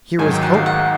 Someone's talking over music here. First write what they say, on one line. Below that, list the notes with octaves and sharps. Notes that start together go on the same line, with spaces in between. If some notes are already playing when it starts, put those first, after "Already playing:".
Here was hope!
G#2 D#3 F#3 G#5
G5
F#5
F5
F#5